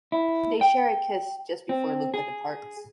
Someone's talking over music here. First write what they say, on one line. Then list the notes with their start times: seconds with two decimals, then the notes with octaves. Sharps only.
They share a kiss just before Luca departs.
0.12 E4
0.61 G5
1.69 C4
2.14 G#4